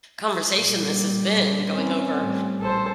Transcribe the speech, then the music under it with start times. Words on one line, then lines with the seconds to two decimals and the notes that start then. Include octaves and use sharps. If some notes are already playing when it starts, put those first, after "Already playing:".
conversation this has been, going over
0.58 A#2 G3
1.70 C4 C#4
2.14 A2 G3
2.61 A#1 A4 C5